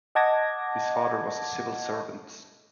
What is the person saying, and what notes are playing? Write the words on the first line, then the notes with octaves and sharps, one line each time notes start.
His father was a civil servant.
D#5 F#5 A5 D6 G#6 A#6